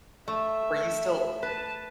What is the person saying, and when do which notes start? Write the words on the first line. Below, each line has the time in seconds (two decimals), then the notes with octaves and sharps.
were you still
0.28 A3 E5
1.43 B4 A5